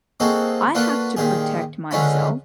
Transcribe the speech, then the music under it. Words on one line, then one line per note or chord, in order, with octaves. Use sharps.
I have to protect myself.
A#3 C4 D#4 F#4 G#4 A4
A#3 D4 F4 F#4 A4 B4
A#2 D#3 G4 G#4
C#2 D3 G#3 C#4 F4 B5